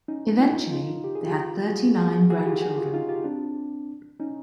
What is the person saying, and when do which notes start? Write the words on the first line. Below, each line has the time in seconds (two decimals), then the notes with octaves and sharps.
Eventually, they had thirty-nine grandchildren.
0.08 C#4 D#4
0.40 D#4 F4
0.72 D#4 F4
1.04 G4
1.15 G#4
1.26 F4 G4
1.67 F#4 G#4
1.98 F#4 G#4
2.30 F#4 G#4
2.45 F4 G4
2.57 G4
2.62 F#4 G#4
2.78 F4 G4
2.94 D#4 F4
3.09 F4 G4
3.24 C4 D4
4.20 C#4 D#4